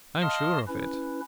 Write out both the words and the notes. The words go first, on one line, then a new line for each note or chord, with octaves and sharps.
"I am sure of it."
D#5 F5 A5 C6 D#6 F6
C#4 E4 B4